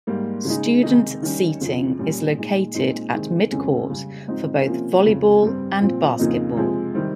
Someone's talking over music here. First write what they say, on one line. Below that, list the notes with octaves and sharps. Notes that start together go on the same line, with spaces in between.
Student seating is located at midcourt for both volleyball and basketball.
G#2 G3 A#3
C#3 G#3 D#4
C3 D#3 G#3 D#4
D#3 G3 C#4
F2 C#3 F3
A#2 G3 C#4
A#2 G#3 D#4
A#2 G#3 C4 D#4
C3 D#3 G#3 C4
F2 C#3 G#3 C#4
C#3 G3 C#4
G#2 F3 C4 D#4
C3 F3 A#3 C#4
F2 C#3 F3
G2 G3 C4
A#2 F3 C4
F2 C#3 F3 A#3 D#4
C3 F3 G#3
C3 D#3 G3 C4